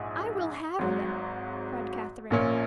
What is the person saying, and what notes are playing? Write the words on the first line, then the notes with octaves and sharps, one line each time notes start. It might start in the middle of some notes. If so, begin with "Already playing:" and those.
"I will have them," cried Katharine.
Already playing: A#1 G#2 D#4 G#4
G#1 G#2 F#3
A#1 A#2 A#3 C#4